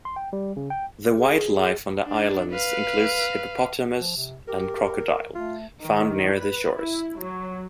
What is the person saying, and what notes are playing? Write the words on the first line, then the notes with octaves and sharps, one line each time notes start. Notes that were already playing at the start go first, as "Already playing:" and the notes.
The wildlife on the islands includes hippopotamus and crocodile, found near the shores.
C6
G5
G3
C#3
G5
G#4
D4
B4 F5
F3
C3
G4 A#4
A3 F4
D#3
B4
E4
F#3